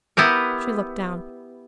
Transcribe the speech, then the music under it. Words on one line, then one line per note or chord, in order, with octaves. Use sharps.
She looked down.
B3 E4 G4 A#4